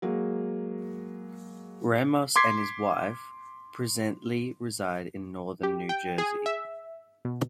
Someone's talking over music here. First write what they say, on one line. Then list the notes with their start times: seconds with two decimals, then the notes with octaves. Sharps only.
Ramos and his wife presently reside in northern New Jersey.
0.02 F#3 G#3 A#3
2.36 C6 D6 G#6 B6 C7
5.63 G4
5.89 G5
6.18 G#4
6.46 E5
7.25 B2